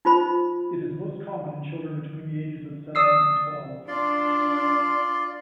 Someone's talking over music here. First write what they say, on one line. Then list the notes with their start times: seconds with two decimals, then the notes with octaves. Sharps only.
It is most common in children between the ages of seven and twelve.
0.05 D#4 F4 C5 B5
2.95 D5 D#6 E6 C7
3.88 D4 F4 D5 C6